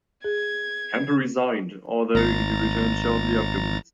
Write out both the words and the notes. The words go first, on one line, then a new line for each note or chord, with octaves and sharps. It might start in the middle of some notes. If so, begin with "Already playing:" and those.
Kempe resigned, although he returned shortly afterwards.
G#4 G#6
G#1 A#5 A6